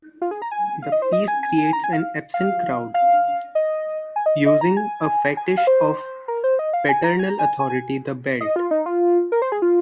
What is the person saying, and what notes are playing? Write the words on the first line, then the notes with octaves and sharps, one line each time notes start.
The piece creates an "absent crowd" using a fetish of paternal authority: the belt.
F4
G#4
A#5
G#5
F5
D#5
C5
D#5
G#5
G#5
G#5
A#5
G#5
F5
F5
F5
D#5
G#5
D#5
D#5
A#5
G#5
G#5
G#5
F5
C5
A#4
C5
D#5
F5
G#5
A#5
G#5
A#5
G#5
G#5
G#5
D#5
F4
D#4
F4
A#4
C5
G#4
F4